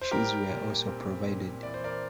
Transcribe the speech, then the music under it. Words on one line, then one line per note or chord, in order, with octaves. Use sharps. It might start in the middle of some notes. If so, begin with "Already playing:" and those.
Shoes were also provided.
C5
G3 G4 A#4
A#2
C4
A#2
E3 D5
C5
A#4 D5